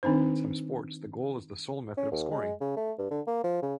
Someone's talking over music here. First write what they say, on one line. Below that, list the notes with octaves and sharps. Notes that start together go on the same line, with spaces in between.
In some sports, the goal is the sole method of scoring.
D#3 C4 D4 D#4 C5
C#4
D#2
G#3
C#3
A3
G2
D3
A#3
F3
C#3